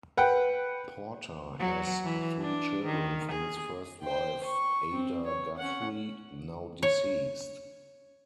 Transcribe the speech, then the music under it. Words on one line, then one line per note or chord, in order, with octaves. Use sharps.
Porter has three children from his first wife, Ada Guthrie, now deceased.
B4 F#5 G5
F#3
E3
D4
D#3
G#4
C5 G5
C#6
C4
C#5
C#4 F#5
C#5